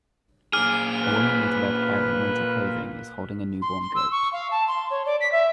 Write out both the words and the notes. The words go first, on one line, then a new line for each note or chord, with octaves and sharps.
A woman with redhair and winter clothing is holding a newborn goat.
A#2 G#4 D6 F6
B4
C6
C6
E6
C#6
F5
A5
C6
C#5
D5
B6
E5